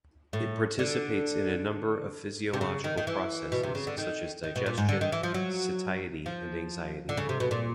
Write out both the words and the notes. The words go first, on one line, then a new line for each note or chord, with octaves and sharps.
It participates in a number of physiological processes such as digestion, satiety and anxiety.
A2
D3
C3
C#3
D#3
D#3
E3
B2
C3
C#3
D3
D#3
D#3
B2
A#2
G#2
D3
D#3
E3
F3
F#3
F3
D3
C#3
C3
B2
A#2